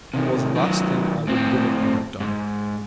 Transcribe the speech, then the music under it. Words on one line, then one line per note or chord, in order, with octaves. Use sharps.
It was the last thing I would willingly have done.
C3 D#3
D#3 F#3
A2 C4
G#2